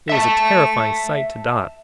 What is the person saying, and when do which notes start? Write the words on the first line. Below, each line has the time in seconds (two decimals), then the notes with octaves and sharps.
It was a terrifying sight to Dot.
0.09 E5 A5